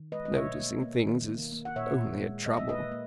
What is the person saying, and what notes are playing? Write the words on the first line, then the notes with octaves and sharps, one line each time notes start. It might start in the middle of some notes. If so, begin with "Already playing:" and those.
Noticing things is only a trouble.
Already playing: D#3
G#3 B4 D#5
D#5
B2 C#5 E5
A#3
A#3
D#3
A#3
A#3
F#5
A#2 C#5 E5
A#2
G#3
A#2 D#5
E5
A#3 B4 D#5
A#3